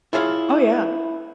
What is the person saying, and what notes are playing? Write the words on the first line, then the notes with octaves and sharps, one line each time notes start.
Oh, yeah.
E4 F4 G#4 C#5 E5 F5